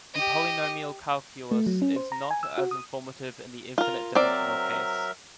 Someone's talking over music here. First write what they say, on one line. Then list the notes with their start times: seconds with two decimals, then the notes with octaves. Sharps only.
The polynomial calculus is not as informative in the infinite-dimensional case.
0.14 G4 D#5
1.51 A3
1.66 F#3
1.82 C#4
1.96 C5
2.12 A#5
2.31 G#5
2.43 E6
2.58 F#4
2.71 D#6
3.78 F4 A#4
4.15 F#3 C4 A#4 D5 E5